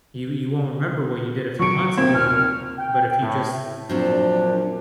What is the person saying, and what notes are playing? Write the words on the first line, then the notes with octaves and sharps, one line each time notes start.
you you won't remember what you did a few months ago, but if you just
F#3 C#6 D7
C3 A#3 C4 G#6
D#2 F6
F6
G5
A2
F#2 A#2 F3 F#3 C4 D4